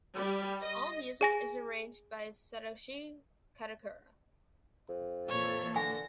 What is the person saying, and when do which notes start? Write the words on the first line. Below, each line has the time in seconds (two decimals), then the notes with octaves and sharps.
All music is arranged by Satoshi Kadokura.
0.14 G3
0.63 D#5
1.21 G#4 G#5 A#6
4.89 F2
5.29 A#2 E3 A4 C#5
5.76 D3 G#5 A#6